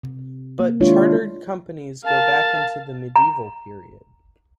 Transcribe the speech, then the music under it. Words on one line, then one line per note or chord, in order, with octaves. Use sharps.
But chartered companies go back into the medieval period.
C3
A#3
D#3 G#3 D4 E4 F4 C#5
A#4 F5 A5
A#5